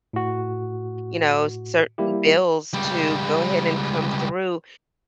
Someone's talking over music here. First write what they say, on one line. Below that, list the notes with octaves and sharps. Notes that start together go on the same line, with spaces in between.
you know, certain bills to go ahead and come through."
A2 F#4
G3 A#3 E4 G4
C#2 G3